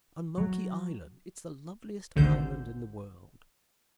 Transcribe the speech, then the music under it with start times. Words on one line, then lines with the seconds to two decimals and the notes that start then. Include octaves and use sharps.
"On Monkey Island; it's the loveliest island in the world."
0.38 F#3
2.16 G#1 D2 D3 C5 G6